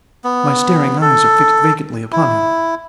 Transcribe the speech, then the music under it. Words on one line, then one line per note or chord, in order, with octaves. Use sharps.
My staring eyes are fixed vacantly upon him.
B3
A4
E4